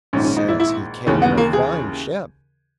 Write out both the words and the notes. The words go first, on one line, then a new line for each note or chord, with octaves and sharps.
Says he came in a flying ship.
A#1 G#2 D#3 C#4
C#4
D#4
E4
E4
D#2 C#3 E3 C#4
B3
A#3
G#4